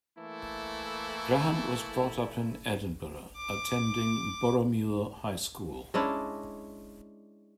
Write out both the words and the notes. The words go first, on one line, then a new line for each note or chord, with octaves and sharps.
Grahame was brought up in Edinburgh, attending Boroughmuir High School.
E3 A3 A#3 E4 A4
D6
G#3 C#4 D4 E4